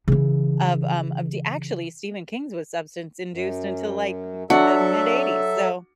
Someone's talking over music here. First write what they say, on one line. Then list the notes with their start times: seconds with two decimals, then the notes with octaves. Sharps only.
of, um of the actually Stephen King's was substance-induced until, like, the mid-eighties, so
0.08 C#3 E3
3.33 F#2
4.50 F#3 D4 F#4 A4 E5 A5 C#7